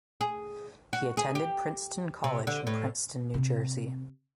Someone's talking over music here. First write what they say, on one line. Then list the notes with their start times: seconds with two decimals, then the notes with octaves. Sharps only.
He attended Princeton College in Princeton, New Jersey.
0.21 G#4
0.93 F#4
1.17 G#4
1.35 G4
2.24 C3
2.47 D3
2.67 A2
3.34 C3 C4